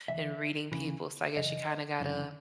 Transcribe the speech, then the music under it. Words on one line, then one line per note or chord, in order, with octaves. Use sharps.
in reading people so, I guess you kinda gotta
D2 C#3 E3 E5
D2 C#3 E3
F#2 C#3 E3 D#5
F#2 C#3 E3